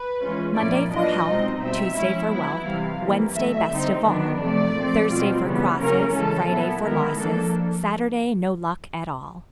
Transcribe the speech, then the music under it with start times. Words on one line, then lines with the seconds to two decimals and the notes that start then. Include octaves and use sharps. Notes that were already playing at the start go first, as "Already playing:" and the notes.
Monday for health, Tuesday for wealth, Wednesday best of all, Thursday for crosses, Friday for losses, Saturday no luck at all.
Already playing: B4
0.21 E3 G#3 C#4 F4
0.56 A#2 F3 A#3 C#4 E4 D5
0.91 F#3 B3 D4 F4 D#5
1.26 B2 G#3 C4 D#4
1.60 B2 G3 C4 E5
1.96 F3 G#3 C#4 E4
2.30 F#3 B3 E4
2.65 C3 E3 G3 F5
3.01 E3 G3 A#3
3.35 B2 F#3 A3 E5
3.70 D3 G3 C4 D#4
4.06 D#3 F#3 B3 D4
4.40 C3 F3 A3 D5
4.75 A#2 F3 A3 C4
5.10 B2 G3 C4 F4
5.45 C#3 E3 G3 B3
5.79 C#3 F#3 A#3 C#4 A#4
6.14 C#3 E3 G#3 A4
6.49 A#2 F#3 B3 E4
6.84 D#3 G#3 B3 E4 A#4
7.19 F3 A#3 D4 A4